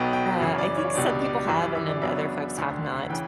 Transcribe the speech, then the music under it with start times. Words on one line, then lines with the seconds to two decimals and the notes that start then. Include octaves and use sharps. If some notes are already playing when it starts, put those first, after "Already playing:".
uh, I think some people have and then other folks have not.
Already playing: B1 B2 F#3 B3 G5
0.13 G5
0.40 F#2 C#3 E3
0.58 D5
0.77 C#5
0.94 C#2 B2 G3 D4 D5
1.21 D5
1.48 F#2 E3 G3 E5
1.62 D5
1.75 E5
1.89 D5
2.02 F#2 C#3 F#3 B3 D4 E5
2.57 E1 D2 D3
3.10 C#3 E3 G5